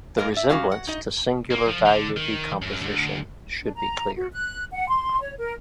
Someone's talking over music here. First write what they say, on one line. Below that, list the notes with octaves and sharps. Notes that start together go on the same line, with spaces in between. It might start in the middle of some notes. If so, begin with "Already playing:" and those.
The resemblance to Singular Value Decomposition should be clear.
G2 A#2 A#4 D#5 F5
D5 E5
G3 G#3 C#4 F#4 F5
F#5
D#4 D#5
A#3
F3
D3
D#3
F#2
D2
D4
A#5
F#4
F#6
F#5
C6
C#5
A#4